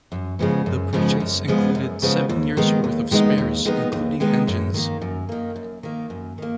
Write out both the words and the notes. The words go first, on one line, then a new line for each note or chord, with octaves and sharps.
The purchase included seven years' worth of spares including engines.
F#2
C#3 F3 G#3 B3
F#2
C#3 F3 G#3 B3
F#2
C#3 F3 G#3 B3
F#2
C#3 F3 G#3 B3
D#2
D#3 G#3 B3 D#4
D#2
D#3 G#3 B3 D#4
D#2
D#3 G#3 B3 D#4
D#2
D#3 G#3 B3 D#4
F#2
D#3 A#3
F#2
D#3 A#3
F#2
D#3 A#3
F#2
D#3 A#3